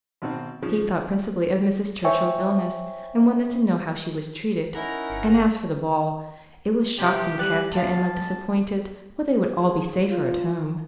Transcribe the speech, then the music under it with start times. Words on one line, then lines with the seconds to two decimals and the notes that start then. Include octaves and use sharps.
He thought principally of Mrs. Churchill's illness, and wanted to know how she was treated; and as for the ball, it was shocking to have dear Emma disappointed; but they would all be safer at home.
0.22 G#1 B2 C4
0.62 C#3 F3
2.04 C5 C#5 E5 G5 G#5 C#6
4.75 C#4 D#4 E4 A#4 F#5
5.10 G1 C#7
6.99 C3 E3 G4
7.39 G3 F#6
7.73 F#2 F5 A5
9.30 G#4
10.04 F4